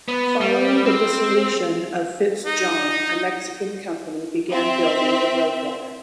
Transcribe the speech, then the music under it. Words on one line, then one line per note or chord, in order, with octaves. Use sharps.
Following the dissolution of FitzJohn, a Mexican company began building the Roadrunner.
B3
G3
C4
D#4
C4 E5